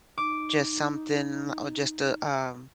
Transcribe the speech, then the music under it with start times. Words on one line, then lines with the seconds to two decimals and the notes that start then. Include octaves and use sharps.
just something or just a um,
0.18 D#4 D6